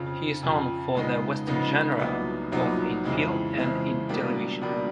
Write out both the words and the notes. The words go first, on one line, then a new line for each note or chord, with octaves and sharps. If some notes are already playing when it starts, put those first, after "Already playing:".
He is known for the Western genre, both in film and in television.
Already playing: F2 C#3 F3
F2 C#3 F3
C#3 F3 G#3 B3 D#4
C#3 F3 G#3 B3 D#4
C2 A#2 F#3 B3 D#4
C2 A#2 F#3 B3 D#4
F2 C#3 E3 G#3 C4
F2 C#3 E3 G#3 C4
C#2 B2 G3 A#3 D4
C#2 B2 G3 A#3 D4